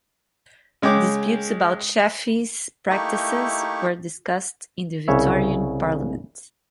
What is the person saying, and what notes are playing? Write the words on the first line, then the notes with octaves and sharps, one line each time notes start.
Disputes about the Chaffey's practices were discussed in the Victorian parliament.
C#3 G#3 C#5 G5 D6
A3 A#3 D#4 E4 G4 C#6
C2 C#3 C#5 E5